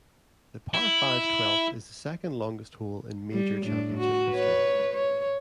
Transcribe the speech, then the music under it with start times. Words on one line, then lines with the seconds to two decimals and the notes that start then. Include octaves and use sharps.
The par five twelfth is the second longest hole in major championship history.
0.74 E4
3.32 G3
3.64 A2 D4
3.97 F#4
4.31 B4 C#5
4.94 C#5